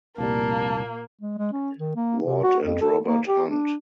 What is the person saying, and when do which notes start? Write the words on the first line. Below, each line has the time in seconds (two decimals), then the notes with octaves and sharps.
Ward and Robert Hunt.
0.18 F1 C2 A#2 G3 A#3 A5
1.21 G#3
1.38 G#3
1.52 C#4
1.78 D#3
1.96 A#3
2.26 C3
2.43 F#4
2.65 F2
2.81 A4
3.07 A#3
3.28 G4
3.50 D4